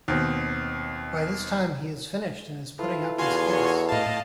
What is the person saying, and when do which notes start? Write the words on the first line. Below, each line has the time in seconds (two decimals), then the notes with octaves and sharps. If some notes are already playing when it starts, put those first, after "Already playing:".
By this time he has finished and is putting up his case.
0.08 D#2 B2 C4
2.79 E4 F4 A4 B4
3.18 E2 F4 F#4 F5 G#5 C6
3.51 F#4 C#5
3.89 A2 D#5 F5 A5